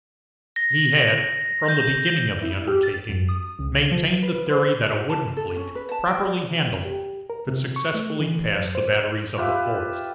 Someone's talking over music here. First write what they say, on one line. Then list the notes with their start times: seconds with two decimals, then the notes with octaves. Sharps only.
He had, from the beginning of the undertaking, maintained the theory that a wooden fleet, properly handled, could successfully pass the batteries of the forts.
0.56 A#6
1.68 G6
2.42 E4
2.67 G4
2.83 A6
3.09 F#2
3.29 D#6
3.59 C#2
3.92 F3
4.23 B4
4.50 C5
4.91 F#4
5.09 A5
5.37 A4
5.56 C#4
5.75 B4
5.91 A5
6.07 G5
6.24 D5
6.85 G4
7.30 A#4
7.49 C3
7.76 C#6
7.94 A3
8.20 E3
8.55 F#2
8.75 C5
9.37 F4 G4 B4 E5